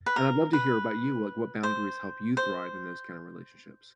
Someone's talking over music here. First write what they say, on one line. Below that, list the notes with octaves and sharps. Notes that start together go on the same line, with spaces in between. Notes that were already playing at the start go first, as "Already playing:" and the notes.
And I'd love to hear about you, like, what boundaries help you thrive in those kind of relationships?
B4
A#4
B4
C5
C5